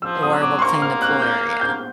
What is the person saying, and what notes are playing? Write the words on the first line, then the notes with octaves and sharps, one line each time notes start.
or we'll clean the pool area.
F3 E6
D#6
F#3
D6
C6
A#3 C#6
F6
F#6
G6
G6